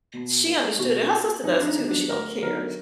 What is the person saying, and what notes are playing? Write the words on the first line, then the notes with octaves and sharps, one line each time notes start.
She understood, and her sister does too, but she don't care.
B2
A#3 D#4
B2 F#4
A#3 F4
F2 D#4
D4
D#4
D3 F#3 B3 D#4
D4
D2 A#4
D3 F#3 B3 D#4 A#4